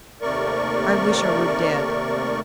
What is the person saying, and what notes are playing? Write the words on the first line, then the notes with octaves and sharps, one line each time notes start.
I wish I were dead.
D#2 C3 A3 A#4 D5 C#6